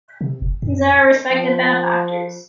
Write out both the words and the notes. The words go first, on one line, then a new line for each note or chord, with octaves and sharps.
These are our respected benefactors.
C3
F1
F#2
F3